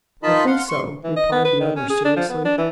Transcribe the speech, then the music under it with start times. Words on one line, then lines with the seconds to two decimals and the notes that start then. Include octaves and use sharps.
"I think so," replied the other seriously.
0.23 D#3 D#4 F4 D#5 A5 B5
0.47 F5 F#5 C6
0.68 C6 C#6
1.04 E3
1.16 D#5
1.32 B3
1.45 B4
1.60 D#3
1.76 C#4
1.90 G#4
2.05 D4
2.16 F3
2.29 B3
2.45 D4
2.58 E3